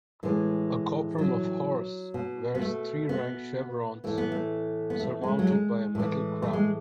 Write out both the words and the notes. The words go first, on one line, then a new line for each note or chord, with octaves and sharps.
A corporal of horse wears three rank chevrons surmounted by a metal crown.
A2 E3 G#3
F#3
B2
B3
A3
B3
A2 E3 A3
B3
A3
B3
A3
G#3
F#3
G#3
A2 E3
A3
G#3